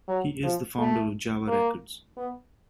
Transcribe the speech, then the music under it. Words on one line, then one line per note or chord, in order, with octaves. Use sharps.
He is the founder of Java Records.
F#3
F3
A3
A#3
B3